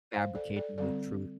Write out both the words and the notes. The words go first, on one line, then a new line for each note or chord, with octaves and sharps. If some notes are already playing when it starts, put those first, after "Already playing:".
fabricating the truth
C5 F5
A4 D5
A4 D5
D3 G3 C4 A4 D5